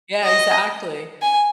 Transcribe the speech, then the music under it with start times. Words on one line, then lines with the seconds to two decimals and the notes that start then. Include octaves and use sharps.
Yeah, exactly.
0.24 D#5
1.22 G#5